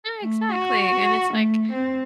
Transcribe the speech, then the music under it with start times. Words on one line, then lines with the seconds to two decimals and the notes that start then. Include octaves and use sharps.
Ah, exactly, and it's like
0.22 A3
0.51 F#4
1.33 A3
1.72 C4